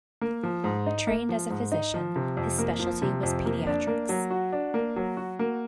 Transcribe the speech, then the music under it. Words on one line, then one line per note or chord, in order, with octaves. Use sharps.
Trained as a physician, his specialty was pediatrics.
A#3
F3
G#2
D#4
A#3
F3
G#2
D#4
F3
C3
F2
A#3
F3
C3
F2
A#3
D4
A#3
F#3
F#4
D4
A#3
F#3
F#4
A#3